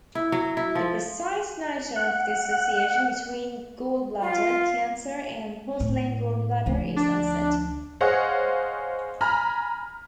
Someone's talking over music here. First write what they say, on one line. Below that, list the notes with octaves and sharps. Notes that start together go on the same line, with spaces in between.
The precise nature of the association between gallbladder cancer and porcelain gallbladder is uncertain.
E4
F#3
E4
F3
F#5
F4 F5
A2
D2 F3
D4
G#4 C5 C#5 D#5 F5 F#5
G#5 A#5 B5 F6